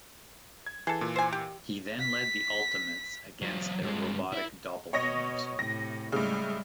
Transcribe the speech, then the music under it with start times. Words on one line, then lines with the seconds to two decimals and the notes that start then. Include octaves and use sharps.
He then led the Ultimates against their robotic doppelgangers.
0.66 G#6
0.87 E3 G#4 A4
1.01 A#2 E3
1.16 C5 G#5
1.33 G4
2.00 B6
3.42 F#3 F4
3.82 G2 G#3
4.32 E4
4.93 B2 C#5 D#5 A#6
5.59 A2 C3 A#6
6.12 A2 C#3 G3 G#3